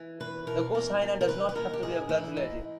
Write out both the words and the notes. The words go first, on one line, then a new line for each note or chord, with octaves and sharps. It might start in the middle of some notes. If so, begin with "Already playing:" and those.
The co-signer does not have to be a blood relative.
Already playing: E3
E2 B4
B2 A#4
E2 A#4
D#2 A#4
A#4
D#3 B4
B4
D#2 A#4
G4
G#2 G#4
E3 E4
G#2 D#4